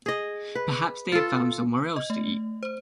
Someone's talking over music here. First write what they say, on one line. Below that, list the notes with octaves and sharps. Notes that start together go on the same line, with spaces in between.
Perhaps they have found somewhere else to eat?
G#4 D#5
B4
F4 A4
D#5
A3
C5